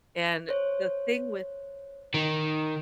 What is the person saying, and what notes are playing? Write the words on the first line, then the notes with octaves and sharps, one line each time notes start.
and the thing with
C5 C#5
D#3